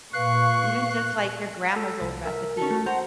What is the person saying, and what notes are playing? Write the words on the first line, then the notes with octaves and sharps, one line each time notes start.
Even just, like, your grandma's old recipe.
A#2 B4 F5 C#6 F#6
A4
C2
A#4 E5
C#4 F#4 A4
A3
C5 F#5 A#5 G6